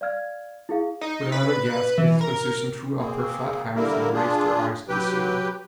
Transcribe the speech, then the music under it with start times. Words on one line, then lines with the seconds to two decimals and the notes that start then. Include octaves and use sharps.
With another gasp Mrs. Bensusan threw up her fat hands and raised her eyes to the ceiling.
0.01 D5 F5 F6 G#6
0.69 E4 G#4 F5
1.01 D#4
1.32 B4
1.98 E3
2.21 A#4
2.98 A#3 C4 G#4
3.75 D3 G3 A#3 E4 A#4
4.13 D4 F4 G#4
4.88 F#3 G4 B4 G5